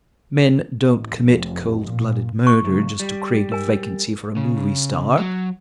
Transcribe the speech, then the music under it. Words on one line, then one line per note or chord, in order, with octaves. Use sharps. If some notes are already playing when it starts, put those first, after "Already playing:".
Men don't commit cold-blooded murder just to create a vacancy for a movie star.
A1
F1
A#2
C#6
C#2 F#2
G3
A#4 G#5
C#3
F#3